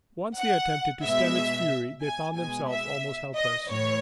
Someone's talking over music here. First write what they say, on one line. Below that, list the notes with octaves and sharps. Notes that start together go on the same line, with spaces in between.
Once they attempted to stem its fury they found themselves almost helpless.
F#5
B2 G#3 E5
G#5
B2 G#3 G#5
E5
D#5
A2 E3 C#5